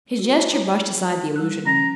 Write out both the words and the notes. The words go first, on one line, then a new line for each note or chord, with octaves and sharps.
His gesture brushed aside the allusion.
F#4
E4 C#5 A#5
G3 E6 F#6
C#3 F3 C#4 A#5